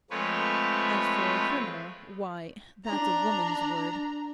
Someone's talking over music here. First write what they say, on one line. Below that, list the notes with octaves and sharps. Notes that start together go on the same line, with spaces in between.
As for criminal--why, that's a woman's word.
F3 G#3 A3 C4 B4 C#5
D4 A#5